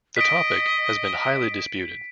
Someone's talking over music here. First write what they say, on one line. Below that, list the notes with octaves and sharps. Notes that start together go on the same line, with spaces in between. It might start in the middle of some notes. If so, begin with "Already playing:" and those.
The topic has been highly disputed.
D#5 B6 D7